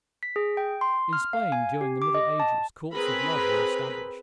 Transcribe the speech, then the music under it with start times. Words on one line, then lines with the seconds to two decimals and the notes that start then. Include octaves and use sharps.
In Spain, during the Middle Ages, courts of Love were established.
0.23 B6
0.36 G#4
0.57 G5
0.81 C6
1.13 F6
1.33 F5
1.52 G#5
1.81 G4
2.02 D6
2.15 D#5
2.40 A5
2.93 C4 G#4 A#4 B4 B5